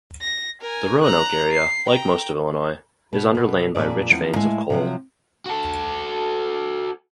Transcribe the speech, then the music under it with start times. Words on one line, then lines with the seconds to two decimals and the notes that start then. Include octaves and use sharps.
The Roanoke area, like most of Illinois, is underlain by rich veins of coal.
0.21 A#6
0.61 A#4 G#5
1.01 A#5 F#6
1.51 C7
1.87 G5 A#5
3.13 B2 B3
3.35 B2 B3
3.75 F2 A#2 D#3 G#4 D5
4.10 E2 F3 B3 C4
4.36 A2 G#3 E5 F5 G#5
4.70 C3 F3 F#3
5.46 F#4 A4